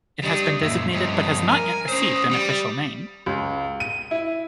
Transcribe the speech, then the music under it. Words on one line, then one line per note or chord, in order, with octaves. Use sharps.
It has been designated but has not yet received an official name.
G3 D4 D#5
F#2 A#2 E5
G2 F3 D#5
A#4 G#5
C#4 C5 D#6
G3
C#2
D#7
E4